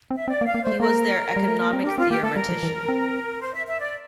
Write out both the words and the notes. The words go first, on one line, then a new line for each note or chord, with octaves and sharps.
He was their economic theoretician.
C4
E5
C4 D5
A#3
F5
A#3
A3 C5
A#3 A#4
G3
A3
A#3
C4
D4 G4
C4 F4
A#3 G4
A3 A4
G3 A#4
F3
E3
C4
C5
E5
E5
D5